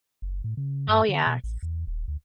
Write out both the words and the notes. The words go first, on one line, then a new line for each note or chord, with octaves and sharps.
Oh, yes.
F#1
A2
C#3
G2
D3
B2
A1
E2
D#1
D2